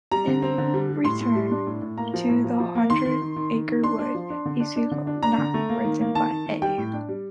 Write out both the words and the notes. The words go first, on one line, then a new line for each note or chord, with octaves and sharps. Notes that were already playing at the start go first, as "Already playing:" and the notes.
In "Return to the Hundred Acre Wood", a sequel not written by A.
G3 A#5
D3
C4
D3
G3
G3
A2 C6
A2
G3
D4
A2
A2
A#3 A#5
F3
A2
F3
F3
A#3
D#3 C6
D#3
D#3
D#3
D#3
D#3
D4 C6
D4
F3
D4
D3
D4
D4
D3
D4
D4 A#5
D3
A3
A#3
D#3
A#3
D#3 A5
D#3
D#3
G3 G5
A2
D4
G3